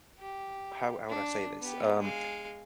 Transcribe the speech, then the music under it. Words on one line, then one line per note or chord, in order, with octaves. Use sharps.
how how would I say this, um
G4
D4
B3 G4
G#3 F5